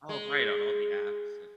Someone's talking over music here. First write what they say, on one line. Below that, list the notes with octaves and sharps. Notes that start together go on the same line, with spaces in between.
Oh, right, on all the apps and
G#3